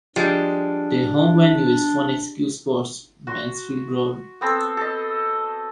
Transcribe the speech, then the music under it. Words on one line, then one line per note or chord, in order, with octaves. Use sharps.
Their home venue is Phoenix Cue Sports, Mansfield Road.
F3 G3 G#3 D4 F4
F#4 C6
B3 C4 A4
A4 D#5